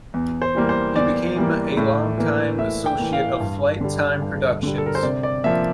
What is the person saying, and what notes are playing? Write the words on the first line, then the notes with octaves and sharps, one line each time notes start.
He became a long-time associate of Flyte Tyme productions.
E2
C5
E3 G3 A#3
C5
E2 D5
E3 G3 A#3
A2
E3 A#3
A2 E5
G5
E3 A#3
F5
G2
D3 G3
G2
D3 G3
A4
A#4
C5
C3 D5
D5
F3 A#3 E5